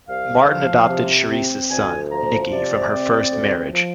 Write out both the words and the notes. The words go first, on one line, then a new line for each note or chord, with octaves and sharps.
Martin adopted Charisse's son, Nicky, from her first marriage.
C2 F5
F3
C3
C4
D2 G#5
F3 A#5
C3 D5
C4
D2
F3